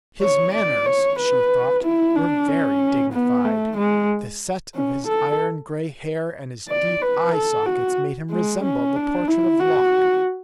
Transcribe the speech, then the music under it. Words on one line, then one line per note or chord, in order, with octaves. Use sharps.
His manners, she thought, were very dignified; the set of his iron-gray hair and his deep eye-sockets made him resemble the portrait of Locke.
C#5
D5
C#5
B4
E4
D4
C#4
B3
A3
G#3
C#4
A4
D5
B4
A4
F#4
G#3
C#4
D4
E4
F#4